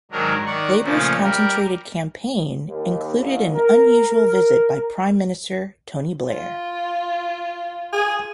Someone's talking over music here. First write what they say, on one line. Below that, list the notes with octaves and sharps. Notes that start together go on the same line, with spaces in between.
Labour's concentrated campaign included an unusual visit by Prime Minister Tony Blair.
G#2 D#3 F#3 D4 A#4
D#3 D5 F#5 C#6
A#2 C#3 F3 A3 A#3
G3 A#4
D#2
A1
A#4
A#4
F4
G#4